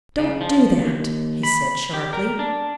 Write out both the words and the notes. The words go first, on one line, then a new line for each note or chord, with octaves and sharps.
"Don't do that!" he said sharply.
C#3
F3
D#2
B5
G4
A#4
D4